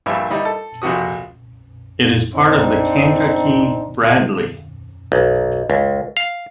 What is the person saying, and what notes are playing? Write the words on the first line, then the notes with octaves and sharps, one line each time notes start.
It is part of the Kankakee-Bradley.
A#1 G2 G3 E5
G3 D#4 E4
A4
A#1 F2 C3 F#4 D#6
C4 D4 D#4
B1
C#2
F5